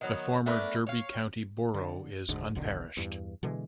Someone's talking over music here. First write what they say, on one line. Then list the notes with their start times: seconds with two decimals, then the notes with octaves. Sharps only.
The former Derby County Borough is unparished.
0.01 D#3 F#3 B3
0.46 A3 B3 D4 A#4
0.87 C#5 F5
1.74 D3
2.28 F1 D2 G#2 D3
2.55 E1 B1 D3 D#3
2.97 E2 G2
3.43 B2 D3 E3 G#3